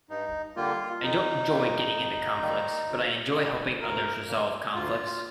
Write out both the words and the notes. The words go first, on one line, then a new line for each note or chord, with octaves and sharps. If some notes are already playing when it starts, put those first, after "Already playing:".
I don't enjoy getting into conflicts, but I enjoy helping others resolve conflicts.
G2 D#4
D3 G3 A#3 F4
F2 D#4
D#3 G3 A#3
F2
D#3 G3 A#3
D2
D3 G3 A#3
D2 A#4
D3 G3 A#3
D2 F4